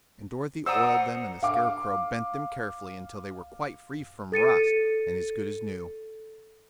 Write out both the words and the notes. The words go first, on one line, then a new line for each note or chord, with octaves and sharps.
And Dorothy oiled them and the Scarecrow bent them carefully until they were quite free from rust and as good as new.
C5 D5 F#5 A#5 D#6 E6
F5 D6
A4 A6 C#7 D#7